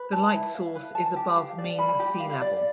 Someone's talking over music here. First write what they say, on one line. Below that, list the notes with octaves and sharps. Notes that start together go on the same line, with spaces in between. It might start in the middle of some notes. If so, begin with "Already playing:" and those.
The light source is above mean sea level.
Already playing: B4
A5
E4
F5
B4
A5
G4
F5
D5
B5
G4
F5
D5